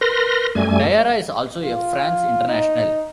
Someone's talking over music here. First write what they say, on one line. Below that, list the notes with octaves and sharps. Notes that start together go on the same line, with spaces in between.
Diarra is also a France international.
A#4 B4 C6 A#6
F#2 G3 A3 G#5
F4
D#4